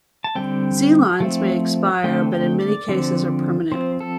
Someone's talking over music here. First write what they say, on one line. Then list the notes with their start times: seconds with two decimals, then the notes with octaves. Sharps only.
Z-lines may expire, but in many cases are permanent.
0.24 A5
0.35 D3 G3 C4 G5
1.20 F3 A3 C4
2.04 D3 A3 C4 G5
2.32 G5
2.60 D5
2.88 D3 F3 C4
3.72 F3 C4 C5
4.00 A4